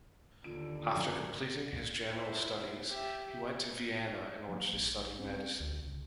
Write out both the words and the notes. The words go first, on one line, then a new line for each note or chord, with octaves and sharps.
After completing his general studies he went to Vienna in order to study medicine.
D#2 D3 F4 D7
F#2
E4 C5
G4 E5
F#3 A#3
A#1
C4 C#4
D2
C#2